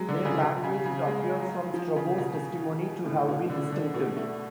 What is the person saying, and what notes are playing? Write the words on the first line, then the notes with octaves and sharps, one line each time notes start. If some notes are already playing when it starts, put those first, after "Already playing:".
Their language would appear, from Strabo's testimony, to have been distinctive.
Already playing: F#3 G#3
D3
C#3
B2
C#3
C#3
G#3
F#3
F3
C#3
B2
A2
B2
D3
D3
B2
A3